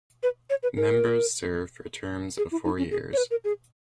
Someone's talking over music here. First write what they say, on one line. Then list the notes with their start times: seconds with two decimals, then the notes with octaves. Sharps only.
Members serve for terms of four years.
0.23 B4
0.50 C#5
0.63 B4
0.77 A#4
2.38 G#4
2.52 E4
2.64 D#4
2.78 C#4
2.91 G#4
3.13 C#5
3.17 B4
3.31 A#4
3.45 G#4